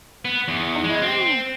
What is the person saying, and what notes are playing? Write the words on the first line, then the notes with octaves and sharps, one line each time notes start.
Oh, wow.
B3
E2
G#3
C4